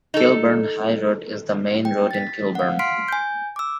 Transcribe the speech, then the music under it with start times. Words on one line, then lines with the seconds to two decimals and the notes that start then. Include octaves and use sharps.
Kilburn High Road is the main road in Kilburn.
0.14 D#4 A4
1.85 G5
2.11 A6 B6
2.55 F5 F#5
2.79 C6 F6 B6 C7 D7
3.08 G#5 G6
3.56 D6 E6